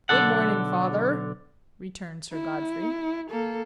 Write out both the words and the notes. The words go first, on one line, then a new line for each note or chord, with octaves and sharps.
"Good-morning, Father," returned Sir Godfrey.
B1 E2 D3 A4 F#5
E4
A#3 A4